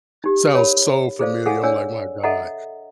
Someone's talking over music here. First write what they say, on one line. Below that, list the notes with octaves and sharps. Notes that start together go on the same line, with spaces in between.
sounds so familiar. I'm, like, "My god,
D#4 G4
A#4 C#5 F5 A5 B5
G#4 A4 C5 D5 F5
G#4 A4 F5 F#5 G#5
D4 C#5 D5 G#5 E6
A4 D#5 E5 F#5 A#5